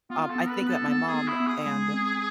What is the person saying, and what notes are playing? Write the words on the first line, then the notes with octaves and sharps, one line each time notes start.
um, I think that my mom and
B3 F4
A4
B3
B4
B3
A4
B3 A4
G#4
B3
E4
B3
G#4
G#3
C4